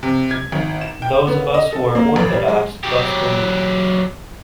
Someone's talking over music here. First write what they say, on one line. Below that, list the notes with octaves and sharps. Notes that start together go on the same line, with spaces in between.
Those of us who are orthodox thus believe.
C3
G#6
G#1
E7
G5
B3
D#5
A4
A#3
A1
G3
G#3
F#3 G4